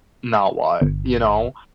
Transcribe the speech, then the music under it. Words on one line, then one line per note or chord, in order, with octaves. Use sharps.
now what, you know
G1